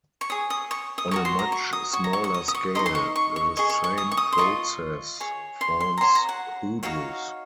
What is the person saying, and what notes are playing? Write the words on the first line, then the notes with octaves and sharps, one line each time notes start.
On a much smaller scale, the same process forms hoodoos.
C#6
G#4 C#5 D#6
D#6
C#6
D#6
F#4 A#4 C#5 C#6
C6
A#5
C#6
D#6
F#4 C#5 C#6
A#5
C#6
C#6
D#6
D#6
C#6
D#4 A#4 D#5 C6
C6
C#6
C#6
C#6
G#4 D#5 C#6
C#6
C#6
D#6
C#6
D#6
C6
F4 A#4 D#5 C#6
G#4 C#5
C6
C6
A#5
F#4 C#5 C6
A#5
F#5
D#4 F#4 C#5 F5